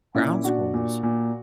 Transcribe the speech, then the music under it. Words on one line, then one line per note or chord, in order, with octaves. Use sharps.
Ground squirrels?
A#2 C#4 E4
A#2 D4 F#4
A#2
A#2